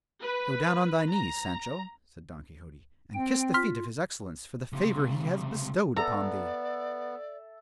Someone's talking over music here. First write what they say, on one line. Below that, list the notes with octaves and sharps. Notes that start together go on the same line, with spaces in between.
"Go down on thy knees, Sancho," said Don Quixote, "and kiss the feet of his excellence for the favour he has bestowed upon thee."
B4
A#5
C4 G5
F4 C6 F6 B6
C#2 C3
B3 A4 D5 E5 A#5